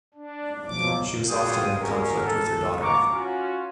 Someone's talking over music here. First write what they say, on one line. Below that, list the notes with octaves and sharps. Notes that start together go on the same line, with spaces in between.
She was often in conflict with her daughter.
D4
B2 F3 F#3 D6
G3 F4 F#4 G#4 G5 D#6
C#4 F#4 G#4 A#4
A4
B3 F4 A#5 C#6 D6
C#4 F4 F#4